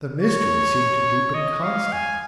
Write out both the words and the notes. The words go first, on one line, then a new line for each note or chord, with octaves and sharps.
The mystery seemed to deepen constantly.
C#5
D#5
F5
G#5